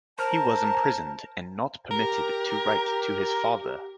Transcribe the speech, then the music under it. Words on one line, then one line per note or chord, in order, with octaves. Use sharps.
He was imprisoned and not permitted to write to his father.
A#4 C5 A5
G4 A#4